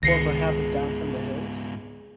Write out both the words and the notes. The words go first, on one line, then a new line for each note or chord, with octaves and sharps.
Or perhaps down from the hills?
C#2 G#2 D#3 G#3 B3 A#6 C7 C#7